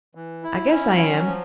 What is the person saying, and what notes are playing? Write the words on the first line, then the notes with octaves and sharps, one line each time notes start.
I guess I am.
E3
E4
C#4
F#3
F3